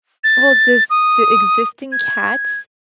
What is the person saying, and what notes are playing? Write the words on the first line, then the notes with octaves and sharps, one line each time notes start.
Well, does the existing cats,
A6
D#6
G#6